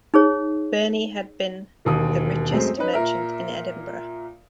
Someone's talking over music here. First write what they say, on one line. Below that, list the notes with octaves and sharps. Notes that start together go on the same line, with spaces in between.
Birnie had been the richest merchant in Edinburgh.
D#4 G#4 C#5
E1 D#2 D#6
F#2 G#3 A3 C4
C#4 D#4 B4
A#2 A#4 E5